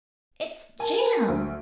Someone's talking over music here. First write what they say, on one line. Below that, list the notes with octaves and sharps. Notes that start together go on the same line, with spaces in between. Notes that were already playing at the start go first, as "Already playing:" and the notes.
It's JAM!
A#4 G#5 A5
D2